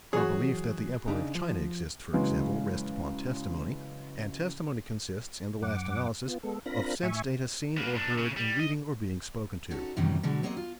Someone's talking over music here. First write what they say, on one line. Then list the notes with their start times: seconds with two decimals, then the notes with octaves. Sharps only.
Our belief that the Emperor of China exists, for example, rests upon testimony, and testimony consists, in the last analysis, of sense-data seen or heard in reading or being spoken to.
0.13 E3 F#3 F#4 G#4 C#5
1.08 C#3 D4 D#4
1.35 F3
2.13 C#3 E3 F#3 G#3
5.62 F#2 F#5 D6
6.28 B3 F4
6.43 G#3 B3 A4
6.66 C4 D4 F4 A#4 B5 A#6
7.03 A2 E5 G#5 C#6
7.78 A#3 B4
7.95 A#2 D4
8.18 C#3
8.37 G3
8.59 D#5
9.71 C#4 D#4 F#4 A4
9.97 F#2 A2 C3 D#3 E3 G3
10.23 B2 D3 F#3 G#3
10.43 F#3 A#3 C4 C5 D#5
10.57 F4